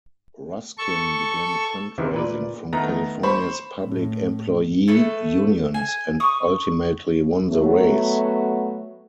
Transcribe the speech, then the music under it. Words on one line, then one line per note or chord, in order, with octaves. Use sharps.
Ruskin began fundraising from California's public employee unions and ultimately won the race.
A4 C#6
C3 D#3 E3
A#2 B4 D5
D#3 A3 B3 A#5
C5 B5 C#6
A2
A3 A4 B4
G#5
C#6 D#6
F#3 A3 B3